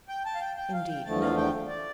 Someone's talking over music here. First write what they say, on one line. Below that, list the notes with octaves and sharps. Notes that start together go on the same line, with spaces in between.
"Indeed no."
G5
A5
F5
G5
G5
F5
G5
E2 D3 F3 A3 A5
F5
G5
D5